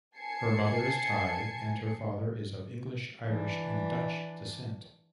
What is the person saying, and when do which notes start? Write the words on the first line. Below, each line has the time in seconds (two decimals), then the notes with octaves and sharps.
Her mother is Thai and her father is of English, Irish and Dutch descent.
0.15 G#5 A5 G#6 C7 C#7
3.25 E3 D4